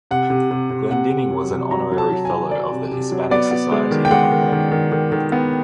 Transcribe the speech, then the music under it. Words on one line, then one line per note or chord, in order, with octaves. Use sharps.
Glendinning was an Honorary Fellow of the Hispanic Society of America.
C3 F#5
C3
C3
C3
C3 F#5
C3
F#3
C3
F#3 A#5
F#3
A5
F#3
G#5
F#3
F#3 D5
C3
C3
F#3
B3 D5
B3
G#3
D#3
G5
G#3 F#5
D#3
D#3
D#3
D#3
D#3
B3